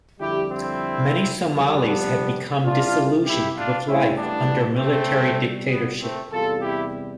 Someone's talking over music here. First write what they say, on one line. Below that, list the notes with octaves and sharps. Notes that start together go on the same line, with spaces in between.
Many Somalis had become disillusioned with life under military dictatorship.
F2 D3 G3 E4 G4
C4 E4
G1 F2 C3 G3
B3 D4
C2 C3 E3 D4 F4
E4 G4
D4 F4
A1 A2 G3 C4 E4
B3 D4
A3 C4
C2 B2 G3
B3
A3 C4
E2 C3 G3 F4 A4
E4 G4